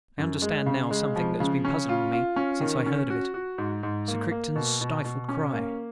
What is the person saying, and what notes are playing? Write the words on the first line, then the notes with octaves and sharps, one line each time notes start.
I understand now something that has been puzzling me since I heard of it--Sir Crichton's stifled cry.
F#2
G#3
C#3
G#3
F3
C#3
C#4
F4
F4
C#4
D#3
C#4
F#4
F#4
G#2
G#2
A#3
A#3
B2
B2
B2
C#4
A#3